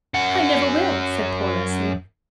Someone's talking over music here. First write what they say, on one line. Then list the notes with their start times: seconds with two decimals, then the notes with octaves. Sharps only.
"I never will," said poor Leslie.
0.14 F#2 F#5